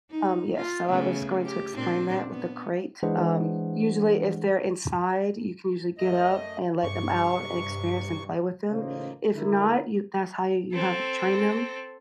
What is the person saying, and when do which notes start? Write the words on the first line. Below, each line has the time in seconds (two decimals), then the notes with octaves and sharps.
Um, yes, so I was going to explain that with the crate, um, usually, if they're inside, you can usually get up and let them out and experience and play with them. If not, you that's how you have train them,
0.11 D#4
0.56 F4
0.88 C#3 A3 B3
1.43 G4
1.73 A#2 C4 D4
2.30 B3
3.03 E3 G#3 D4 G#4 C5 F#5
5.98 F#2 A3 D#5
6.83 G2 C3 C#6
8.70 A1 C#3 A#3 D#4 F4 C5
9.34 D3 E4 A#4
10.72 C4 A4